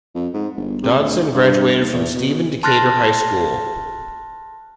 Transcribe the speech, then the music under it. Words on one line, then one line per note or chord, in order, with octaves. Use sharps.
Dodson graduated from Stephen Decatur High School.
F2
G#2
G1
C3
D2
G2
D#2
E2
B2
A5 C6 F6 F#6 A6 A#6